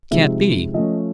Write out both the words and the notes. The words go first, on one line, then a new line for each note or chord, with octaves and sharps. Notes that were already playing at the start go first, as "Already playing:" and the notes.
Can't be.
C3 F3 G#3 C4 D#4 E5
F3 A3 C#4 D#5